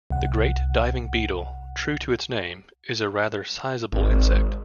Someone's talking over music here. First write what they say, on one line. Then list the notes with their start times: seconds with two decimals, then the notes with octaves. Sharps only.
The great diving beetle, true to its name, is a rather sizable insect.
0.10 C2 F#5
3.92 G#1